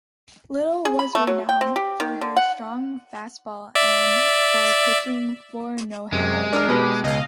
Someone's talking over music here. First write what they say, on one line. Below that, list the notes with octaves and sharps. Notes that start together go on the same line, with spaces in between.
Little was renowned for her strong fastball and for pitching four no-hitter games.
G#4
B5
A3
F#3
G5
C4
G4
D#3
D3
F#5
D5 E5
F#2 C3 G#3
D4 A#4 F6
B2 G4 B4
C#2 D#5 F5